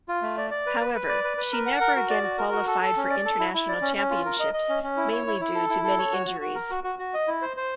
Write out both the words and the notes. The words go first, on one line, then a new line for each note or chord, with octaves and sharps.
However, she never again qualified for international championships mainly due to many injuries.
F4
A3
D5
D5
B4
B4
B4
D5
B4
B4
A#4
F#5
A#4
F#4
D5
F#4
A#4
F#4
A4
A4
C#4
D5
A4
E4
E4
D5
C#4
C#4
F4
A#4
D#5
D#5
C#4
C#4
E4
C#5
E4
E4
A4
E4
A4
C#5
F#4
F#4
F#4
A#4
F#4
F#4
F#4
D#5
E4
C5
C5